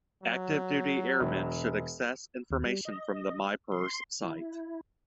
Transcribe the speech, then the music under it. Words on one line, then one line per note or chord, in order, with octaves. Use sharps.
Active Duty Airmen should access information from the MyPers site.
F#3
E1
D#2
G3
D#5
C6
E4